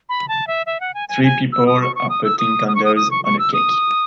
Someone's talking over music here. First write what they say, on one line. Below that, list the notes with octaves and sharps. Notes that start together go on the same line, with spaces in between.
Three people are putting candles on a cake.
B5
A5
E5
E5
F#5
G#5
G#5
G#5
E6
D#6
C#6
C#6
D#6
E6
D#6
D#6
C#6
D#6
D#6
C#6
C#6
E6
D#6